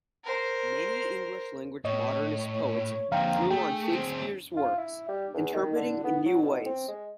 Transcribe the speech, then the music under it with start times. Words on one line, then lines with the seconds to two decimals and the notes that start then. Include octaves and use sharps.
Many English-language Modernist poets drew on Shakespeare's works, interpreting in new ways.
0.24 A#4 C5
1.85 A2 C#5 D#5
3.12 F2 D3 F5 G5 A#5
3.51 A3 G#4 G5
3.91 D2 C4
4.57 F4
4.78 E4
5.08 G3
5.34 E2
5.54 D#3
5.75 D3
6.04 B3
6.26 F#3
6.42 B2
6.65 C4
6.88 G#3